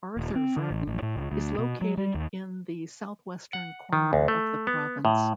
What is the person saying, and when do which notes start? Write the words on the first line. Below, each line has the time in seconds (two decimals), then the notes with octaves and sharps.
Arthur-Virden is located in the southwestern corner of the province.
0.17 D#1
0.35 C4
0.57 D3
0.71 A1
0.87 A1
1.02 A2
1.16 C#2
1.32 D2
1.58 B2
1.81 F#3
1.97 G3
2.15 D#2
3.53 F#5
3.93 D#3
4.13 D2
4.28 A3
4.67 B3
5.05 A2